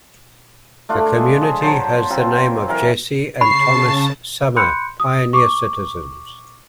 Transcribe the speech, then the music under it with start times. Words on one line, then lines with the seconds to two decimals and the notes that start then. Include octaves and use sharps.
The community has the name of Jesse and Thomas Summer, pioneer citizens.
0.89 A3 D4 F4
1.16 G#3
1.41 F3 G#4
1.61 F3 F#3 C5 A5
2.10 F#3 C4 F4
2.68 E3 F#3 A#4
3.41 C#3 A5 B5 C#6 C7
4.56 B5 C6 F#6 G6 C#7
5.00 D#6
5.33 C#6 D6